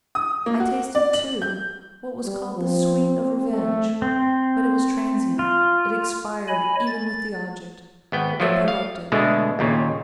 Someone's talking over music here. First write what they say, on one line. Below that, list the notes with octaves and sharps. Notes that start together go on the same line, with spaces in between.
I tasted too what was called the sweet of revenge--but it was transient, it expired even with the object, that provoked it.
D#6
A#3
F#4
D5
F#7
G6
G3
F3 C4
A3
C4
F4
C#5 D#5 G#5 B5
A6
G#1 B3 G5
F3 F#3 A3
F5
B2 D3 G#3 A3
D#2 A#2 C#3